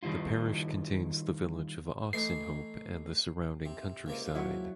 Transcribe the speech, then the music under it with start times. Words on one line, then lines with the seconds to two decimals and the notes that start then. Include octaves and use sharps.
The parish contains the village of Oxenhope and the surrounding countryside.
0.03 D#3 G3 E4 F4
2.13 E3 A3 D#4 C7
3.65 C3
4.06 C#2 C3 A#3
4.35 F#3 E4